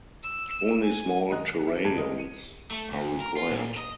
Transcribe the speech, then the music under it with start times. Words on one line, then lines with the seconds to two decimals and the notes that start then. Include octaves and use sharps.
Only small terrariums are required.
0.23 E6
0.83 G#5
1.30 F#2 D#3 G#3 D#5 A#5 F#6
1.45 C#7
1.67 E5
1.85 F#1 G#2 D#3 G4 A5 G#6
1.97 G#3 B3 A#4 D#5
2.18 C#7 D#7
2.71 A3
2.92 D2
3.20 A#4
3.36 F4
3.50 A#2
3.77 D#5